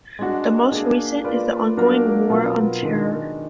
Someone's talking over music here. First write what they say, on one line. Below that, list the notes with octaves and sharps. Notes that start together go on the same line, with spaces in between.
The most recent is the ongoing War on Terror.
G#3 D4 F#4
A#3 D4 G#4
A#3 F4 B4 D5
F#3 A#3 D4 F#4 A#4
B2 F#3 B3 F4 A#4
D#3 G#3 D4